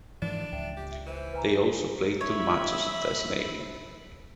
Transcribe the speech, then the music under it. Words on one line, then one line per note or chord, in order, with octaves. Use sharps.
They also played two matches in Tasmania.
G#2 E3 F3 D4
C#2 E5 G5
G4
E3 C5
B4 G#5 A#5
C#5 E5 B5